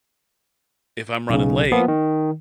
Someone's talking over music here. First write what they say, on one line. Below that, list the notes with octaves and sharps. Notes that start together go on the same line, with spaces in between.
if I'm running late
B1 C#3
F3 A#3 B3
D#3